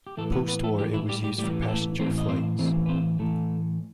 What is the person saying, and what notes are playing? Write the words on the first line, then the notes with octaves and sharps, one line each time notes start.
Post war it was used for passenger flights.
G4
A2 E3 A3 A4
B3 B4
B3 B4
A3 A4
A2 E3 G3 G4
E3 E4
G3 G4
G3 G4
A2 G3 G4
E3
G4
A3 A4
A2 E3 C4 C5
D#5
C4 C5
A2 E3 C4 C5
B4
C4 C5
A2 E3 A3 A4